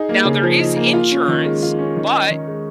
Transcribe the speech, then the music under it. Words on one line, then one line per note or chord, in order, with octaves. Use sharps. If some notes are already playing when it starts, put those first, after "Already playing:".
Now, there is insurance, but
Already playing: D#4 G#4
A#3
C#3
F3
D#4
A#3
F4
C#4
D#3
G#3
F4
C#4
D#3
D#4
D#3
G#3